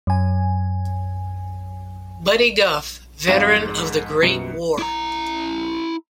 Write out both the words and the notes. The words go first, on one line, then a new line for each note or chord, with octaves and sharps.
Buddy Guff: veteran of the Great War.
F#2 G#5
F2 G#2 G3 C4 F5
G#3
D#1 F#2 B2 C#7
E4 A#5